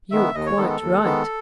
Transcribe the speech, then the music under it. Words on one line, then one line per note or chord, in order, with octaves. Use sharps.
'You are quite right.
D#3 G#3 B3 E5
D#2 D#5
C#5
D#3 G#3 B3 A4
A4
D#2
D#3 G#3 B3